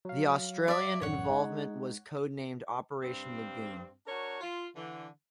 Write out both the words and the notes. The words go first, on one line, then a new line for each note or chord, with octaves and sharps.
The Australian involvement was codenamed Operation Lagoon.
F#3 F5
D5 E5
A1 F#2 C#5 F#5
G#3 D#4
G2 C4
D4 F#4 A#4 C#5
F4
D3 E3